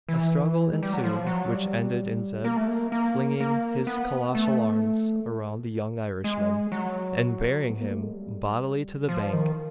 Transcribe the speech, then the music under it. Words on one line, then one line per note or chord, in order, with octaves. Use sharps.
A struggle ensued, which ended in Zeb flinging his colossal arms around the young Irishman, and bearing him bodily to the bank.
E3
G#3
G3
F#3
F3
F#3
G3
A#3
A3
A#3
A#3
A#3
B3
A3
G#3
F#3
B3
A#3
A3
G#3
G3
F3
D#3